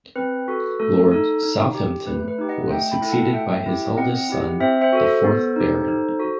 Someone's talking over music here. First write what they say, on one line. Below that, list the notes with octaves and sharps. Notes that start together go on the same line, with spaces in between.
Lord Southampton was succeeded by his eldest son, the fourth Baron.
C4 B4
F#4 A4
A3 A4
D#4 A4
D#4
G4
A3 B4
B4
D#4 G4
D#5 F#5
A3 E5 G5
G5 B5
E4 A4
F#5 A5
A3 E5 G5
E4 G4
C4 D#5 F#5
E4 G4
C4 C5 E5
C5 E5
F#4 A4
A4 C5
B3
D#4 G4
D#4
F#4 A4